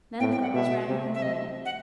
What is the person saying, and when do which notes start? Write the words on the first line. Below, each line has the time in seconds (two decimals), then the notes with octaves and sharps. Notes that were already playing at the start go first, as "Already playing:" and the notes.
Then the girls ran home again.
0.20 A2 G5
0.32 G5
0.42 F#5
0.54 B2 E5
0.88 C3
1.14 E5
1.22 C3 D#5
1.65 F#5